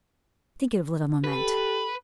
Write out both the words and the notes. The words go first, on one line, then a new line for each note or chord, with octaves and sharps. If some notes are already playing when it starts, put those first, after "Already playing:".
I think it of little moment.
G4 A4 B4